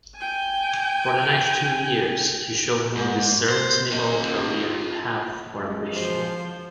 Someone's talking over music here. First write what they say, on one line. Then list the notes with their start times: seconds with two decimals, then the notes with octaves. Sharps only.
For the next two years he showed no discernible career path or ambition.
0.16 G5 G#5
2.97 G#2
3.49 C5
3.92 F4 D#5
5.53 F#2 B2 G#3
5.93 F3 C5